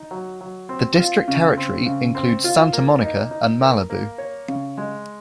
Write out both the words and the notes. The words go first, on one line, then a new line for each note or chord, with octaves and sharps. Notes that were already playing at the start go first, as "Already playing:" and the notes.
The district territory includes Santa Monica and Malibu.
Already playing: D#4
F#3
F#3
C4
F4
C#3
C4
C#3
C4
F4
A#3
D#4
D#4
A#4
A#3
C#5
C#3
G#3